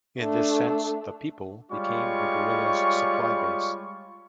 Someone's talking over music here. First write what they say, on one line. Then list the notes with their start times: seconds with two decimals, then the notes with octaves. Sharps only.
In this sense, "the people" become the guerrillas supply base.
0.20 A3 D4
1.72 G3 G#3 F4 C#5 C#6